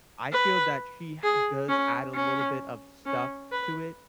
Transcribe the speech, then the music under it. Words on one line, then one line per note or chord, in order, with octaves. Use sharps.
I feel that she ha does add a little bit of stuff to it,
B4
G#4
C#4
C#4
C#4
B4